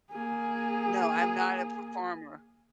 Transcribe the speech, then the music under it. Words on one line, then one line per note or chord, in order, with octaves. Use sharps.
No, I'm not a performer.
A#3 G#4